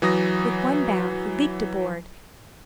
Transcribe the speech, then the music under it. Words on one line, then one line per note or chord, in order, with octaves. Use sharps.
With one bound, he leaped aboard.
E3 F#3 D#6 A#6